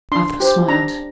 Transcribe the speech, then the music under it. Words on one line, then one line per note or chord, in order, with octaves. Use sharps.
Athos smiled.
D4 C6
G4 C5
D4 A#5